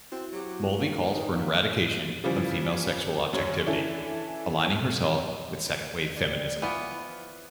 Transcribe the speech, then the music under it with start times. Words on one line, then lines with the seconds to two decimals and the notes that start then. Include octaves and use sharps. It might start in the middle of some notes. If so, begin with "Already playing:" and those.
Mulvey calls for an eradication of female sexual objectivity, aligning herself with second-wave feminism.
0.12 C4 E4 F#4
0.33 F#3 G4
0.72 A#3
1.06 D#4
1.31 F5 C#6
2.24 C#3 E3 F3 G3
3.33 F#2 C#5
3.66 E3 C#4 D4 E4 A4
6.17 G3 G4
6.62 E3 F3 B3 F4